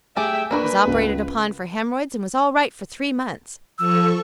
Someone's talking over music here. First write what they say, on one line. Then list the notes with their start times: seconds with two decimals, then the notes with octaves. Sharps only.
Was operated upon for hemorrhoids and was all right for three months.
0.16 A3 G4 G#4 E5 G5 D6
0.51 A#3 D4 A#4 B4 G#5 B5 C#6
0.87 C#2
3.79 F3 A4 C#6 E6